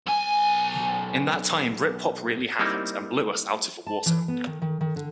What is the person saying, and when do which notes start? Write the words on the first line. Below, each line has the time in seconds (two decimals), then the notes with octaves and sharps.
In that time Britpop really happened and blew us out of the water.
0.06 B1 G#5
2.59 G3 A#3 C4 D#4 E4
3.87 A5
4.06 E3
4.28 B3
4.47 D#3
4.62 D#3
4.81 D#3
4.96 D3